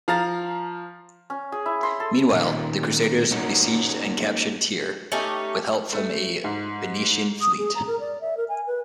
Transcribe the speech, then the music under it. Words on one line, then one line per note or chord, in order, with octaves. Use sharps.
Meanwhile, the crusaders besieged and captured Tyre, with help from a Venetian fleet.
F3 F5 A#5 A6
C#4
G#4
E4
C6
A4
A#2 D#3
A#3 C#4 D#4 F#4
A3 C#4 D#4 G4
A3
G#2
D#6
G#4
A#5
A#4
D5
E5
A#4
G#5
B4